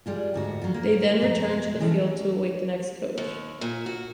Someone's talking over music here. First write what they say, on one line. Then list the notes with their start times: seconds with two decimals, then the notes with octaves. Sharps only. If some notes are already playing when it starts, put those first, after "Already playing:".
They then returned to the field to await the next coach.
0.06 G3 G#3 F4
0.34 D2 G#2 F#4
0.62 F#3 F4
0.74 A#3
1.21 F2 B2 F#4 A#5
1.80 E3 G#3 A3 B3 C#4
3.18 D#2
3.61 A#2
3.86 F#4